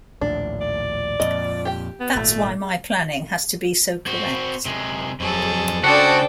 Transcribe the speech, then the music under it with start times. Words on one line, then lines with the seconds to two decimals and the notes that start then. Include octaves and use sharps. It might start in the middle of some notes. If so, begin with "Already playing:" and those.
That's why my planning has to be so correct.
0.21 A#1 D#2 A2 D4
0.61 D5
1.20 F2 A#2 D#5
1.65 G4 G5
2.00 B3
2.15 G#1 A#2 A3
4.06 C4 F#4
4.65 C3 G#3
5.20 F2 F#3 G#4 A4
5.84 C#3 G#3 D4 F#4 A4 C5 D5 G5